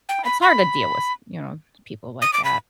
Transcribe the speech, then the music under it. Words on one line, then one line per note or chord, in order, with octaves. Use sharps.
it's hard to deal with, you know, people like that.
G5
B5
B5
D#6
D6
B5